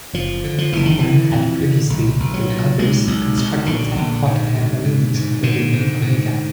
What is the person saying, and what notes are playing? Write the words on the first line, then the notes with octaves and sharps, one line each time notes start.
Cameron had previously, with others, constructed ten hot air balloons under the name Omega.
F#1 F3
D3
F3
F#1 E3
D#3
D3 E3
F2
D3
B1
B1
F#3
A#2
B1 G#3
B1
B1
A#1 D3
A#1
G#2
G#2
G#2
G#2
G#2 D3
G#2
G#2